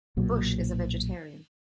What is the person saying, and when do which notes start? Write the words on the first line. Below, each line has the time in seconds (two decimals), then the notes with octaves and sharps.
Bush is a vegetarian.
0.17 B1 A#2 F#3